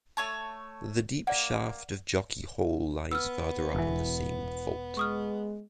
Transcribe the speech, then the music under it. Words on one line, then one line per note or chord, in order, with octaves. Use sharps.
The deep shaft of Jockey Hole lies further up on the same fault.
A3 C#5 A5
A#3 D5 F#5
B3 E6 F6
E1 E3
G#3 C#6 D#6 F6